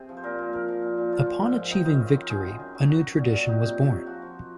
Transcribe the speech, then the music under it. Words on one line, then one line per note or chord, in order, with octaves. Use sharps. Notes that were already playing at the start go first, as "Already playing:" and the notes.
Upon achieving victory, a new tradition was born.
Already playing: C3 G#4
F3
C5
A#2 A#4
A#2
F3 A#4
F3
A#2
A#2
F3 F4
F3
G#2
G#2
D#3 D#4
F#2 D#4
F#2 F4
F#3
D#3 G#4
F#2
F#2
F#3
F#3 F#4
F#3
A#2
A#2
D#3 D#4
C3
C3
F#3
F3 F#4
F3